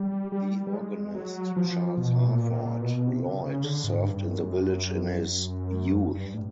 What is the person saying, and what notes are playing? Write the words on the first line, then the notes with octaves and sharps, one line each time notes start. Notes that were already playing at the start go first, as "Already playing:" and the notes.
The organist Charles Harford Lloyd served in the village in his youth.
Already playing: G3
G3
G3
G#3
F#3
F3
B2
A#2
A#2
B2
C3
D3
C#3
D3
G#2
G2
F#2
G2
A2